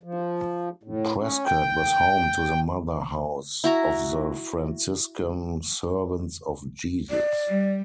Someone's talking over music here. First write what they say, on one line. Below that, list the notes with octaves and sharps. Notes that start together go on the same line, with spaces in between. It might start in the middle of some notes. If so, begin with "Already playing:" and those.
Prescott was home to the mother house of the Franciscan Servants of Jesus.
F3
A2
C#4
G5
E4 F#4 A#5
D5
G3